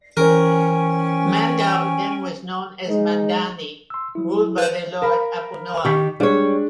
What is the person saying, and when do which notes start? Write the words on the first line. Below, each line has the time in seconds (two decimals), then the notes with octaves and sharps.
Mandaue then was known as Mandani ruled by their lord Aponoan.
0.17 E3 C#4 A#4 C5 G5 G#5 C#6
2.88 G#3 D#4
3.90 C6 E6
4.15 F#3 E4
4.58 B4 C5
5.02 A#4 F5 B5
5.85 D#3 G4 C#6 B6
6.20 G3 G#3 D4 C#5 D5